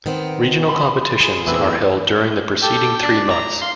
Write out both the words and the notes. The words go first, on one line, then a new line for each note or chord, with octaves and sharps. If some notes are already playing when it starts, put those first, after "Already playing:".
Regional competitions are held during the preceding three months.
D#3 B3 C4
B5 C6
G#4
E2 A3 C4 E4 B4 E6
G4 A4 G5
D4 D5
A#5
F5 C6